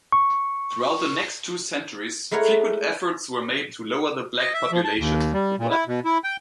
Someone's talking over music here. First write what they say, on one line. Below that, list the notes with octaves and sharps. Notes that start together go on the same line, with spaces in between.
Throughout the next two centuries, frequent efforts were made to lower the Black population.
C#6
G#3 A3 E4 A#4 C#5 F#5
D#5
E5
F3
A5
D#2
G3
A#2
E4
B2
E4
G5